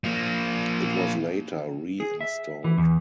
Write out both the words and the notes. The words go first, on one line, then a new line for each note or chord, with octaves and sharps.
It was later reinstalled.
F3 A#3
G#4
E5
E3
E2